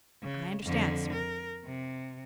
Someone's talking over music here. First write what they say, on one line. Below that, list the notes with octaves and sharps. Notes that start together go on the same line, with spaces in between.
"I understand, sir."
C#3
F2 D3
A#4
C3